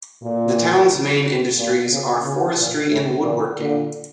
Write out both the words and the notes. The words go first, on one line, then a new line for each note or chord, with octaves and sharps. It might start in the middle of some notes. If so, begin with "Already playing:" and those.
The town's main industries are forestry and woodworking.
A#2
A#2
C#3
C#3
A#2
A2
A#2
A#2 D3